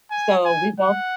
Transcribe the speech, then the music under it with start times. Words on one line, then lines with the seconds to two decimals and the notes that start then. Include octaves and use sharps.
so we both
0.11 G#5
0.46 G#5
0.80 F#5